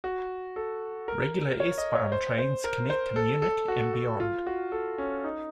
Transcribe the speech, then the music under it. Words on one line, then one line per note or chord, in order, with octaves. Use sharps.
Regular S-Bahn trains connect to Munich and beyond.
F#4
A4
A#4
C#5
D#5
C#5
C5
C5
A#4
C5
A4
A4
F#4
F#4
F4
F#4
A4
C#4
D#4